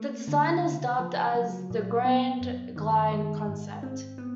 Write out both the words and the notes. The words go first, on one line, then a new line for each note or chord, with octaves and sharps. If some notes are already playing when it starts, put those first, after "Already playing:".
This design is dubbed as the "Grand Glide" concept.
Already playing: A3 A#3
D3
C#3
F3
F#3
A#2
B3
F#2
D#3
G#3
G#2
C4
B3